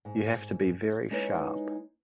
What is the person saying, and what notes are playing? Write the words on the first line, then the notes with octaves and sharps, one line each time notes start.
You have to be very sharp.
G#2
G#3 D#4 E4 B4 C#5